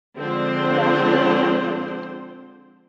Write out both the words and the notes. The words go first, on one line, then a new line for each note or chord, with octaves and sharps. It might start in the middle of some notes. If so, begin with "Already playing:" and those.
Dust storms are common.
D3 F3 G#3 C4 D4 C5